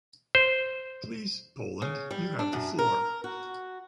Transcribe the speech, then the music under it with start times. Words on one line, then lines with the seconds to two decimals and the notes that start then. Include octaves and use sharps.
Please, Poland, you have the floor.
0.35 C5
1.82 C#3
2.11 G3
2.39 D4
2.53 F#2
2.79 A#4
3.24 F#4